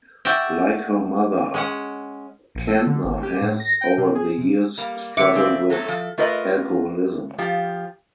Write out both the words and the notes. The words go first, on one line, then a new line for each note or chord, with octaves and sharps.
Like her mother, Kantner has, over the years, struggled with alcoholism.
F#4 D5 E5 G5
G#3 C#4 F#5
A#1
A4
D3
G#1
G4
A2
A#6
G5
C3
G#4
C3
G3 A#3
D3 E5 D6 C#7 D7
C#3 C4 D5
F#3 A3 A4
F3 A4
A3 F4 A#4 B4 D#5
F3 F4 G4